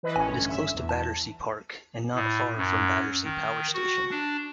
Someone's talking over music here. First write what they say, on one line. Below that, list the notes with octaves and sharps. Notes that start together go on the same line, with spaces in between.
It is close to Battersea Park, and not far from Battersea Power Station.
E3 B4 D#5
A1 C#4 G#5
G2 D3
E5
E2
A5
A2
F#2
D#3
F#4
D4